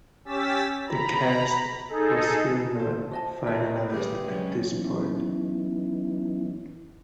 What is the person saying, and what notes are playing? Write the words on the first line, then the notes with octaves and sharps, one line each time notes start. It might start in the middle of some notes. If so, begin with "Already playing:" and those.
The cast was still not finalized at this point.
C#4 G4 E6 A6 B6
A#5 B5
D#4 G#4 A4
A4 C5
F3 F#4 D#5 A5
D#2 B2 C4 E5
G2 D3 G3 G#4
F#3 G#3 C#4
E3 F#3 B3 C#4 D#4 E4